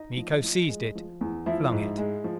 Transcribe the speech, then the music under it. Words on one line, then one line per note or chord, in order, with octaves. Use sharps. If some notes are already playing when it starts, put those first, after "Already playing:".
Miko seized it: flung it.
Already playing: D#4 D#5
F3
F3
G#3
F3
E2
F3 E4 E5
G#2
G#3
F3